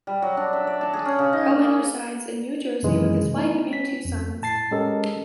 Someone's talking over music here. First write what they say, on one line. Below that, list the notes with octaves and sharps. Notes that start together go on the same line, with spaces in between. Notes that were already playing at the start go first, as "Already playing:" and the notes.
Cohen resides in New Jersey with his wife and two sons.
G3
F#3
D4
E5
D5
A5
G#4
C#4
C#3
D#4
A#3
G#4
F#2 C3 D#3 E3 G#3
A3 B3 D#4 E4
C#4 B6
F2
A2 A5 A6 C7
G#3 C#4 G4 A4 A#4 D#5